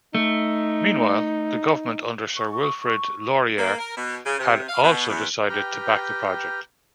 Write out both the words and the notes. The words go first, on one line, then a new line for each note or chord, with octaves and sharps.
Meanwhile, the government, under Sir Wilfrid Laurier, had also decided to back the project.
A3 D#4
C#6
A#3
A#4
B2
C#3
C3
F5
B2
E2
G4 B4 G5 A#5 F6 G6